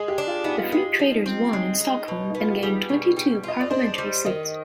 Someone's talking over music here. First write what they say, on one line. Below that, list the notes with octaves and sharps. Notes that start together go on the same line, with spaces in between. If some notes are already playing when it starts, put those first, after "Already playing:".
The Free Traders won in Stockholm and gained twenty-two parliamentary seats.
Already playing: G#3 G#4
G4
D4
F4
B3 D#4
F4
G#3 D#4
F3
C4
G#3
D#4
B2
B3 D#4
F4
G4
G3 G#4
B2
G3
F4 D#5
D5
D4 C5
G3
D#3 D#5